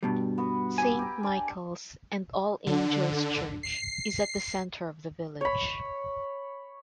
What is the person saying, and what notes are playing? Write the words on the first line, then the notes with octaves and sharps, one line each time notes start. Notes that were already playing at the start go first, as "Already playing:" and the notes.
Saint Michael's and All Angels' Church is at the centre of the village.
G2 B2 G3
B3 F#4 B4
G4 G#5 B5 E6
G4 A#5
D4 D5
D3
C7
C#5 B5